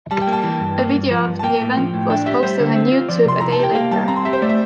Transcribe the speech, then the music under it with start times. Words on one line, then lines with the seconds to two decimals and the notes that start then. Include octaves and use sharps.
A video of the event was posted on YouTube a day later.
0.11 G3 A5
0.21 G5
0.27 A#3
0.33 A5
0.44 E3
0.60 G2
0.78 A#3
0.94 G2
1.11 F3
1.27 G2
1.39 A5
1.43 A#3 G5
1.60 A2
1.77 F3
1.94 A2
2.10 D4 G5
2.26 G4 E5
2.43 G3 C5
2.60 D3
2.75 C4
2.92 F4
3.08 F3 D5
3.25 C3 C6
3.41 E4 A#5
3.52 A5
3.59 G4 G5
3.75 A#3 F5
3.91 G3 A5
4.08 C4 A#5
4.16 C6
4.25 G4 E5
4.33 C5
4.42 A3 D5
4.49 E5